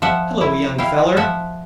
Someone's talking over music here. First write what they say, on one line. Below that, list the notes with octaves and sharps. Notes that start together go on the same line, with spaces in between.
"Hello, young feller."
F3 E5 F#5
E4
E4 F5 G5
F3 E5 F#5